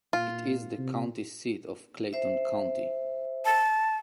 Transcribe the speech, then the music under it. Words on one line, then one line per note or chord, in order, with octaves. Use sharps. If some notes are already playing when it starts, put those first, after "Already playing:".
It is the county seat of Clayton County.
A#2 F4
C3
C5 E5
A5